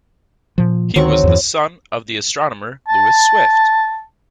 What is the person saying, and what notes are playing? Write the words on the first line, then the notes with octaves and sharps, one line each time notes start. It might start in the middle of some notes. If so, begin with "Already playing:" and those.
He was the son of the astronomer Lewis Swift.
A#2 F3
D2 D#3 F#3 C4 C#6
E2 G2 E3
A5